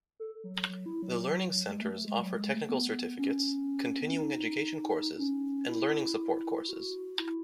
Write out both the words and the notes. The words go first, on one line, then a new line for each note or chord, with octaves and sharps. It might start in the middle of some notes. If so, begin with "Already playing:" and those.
The learning centers offer technical certificates, continuing education courses, and learning support courses.
A4
F#3
F#3
F#3
E4
F#3
G#3
A3
A3
G#3
F#3
G#3
A3
B3
C#4
B3
C#4
D#4
C#4
E4
F#4
E4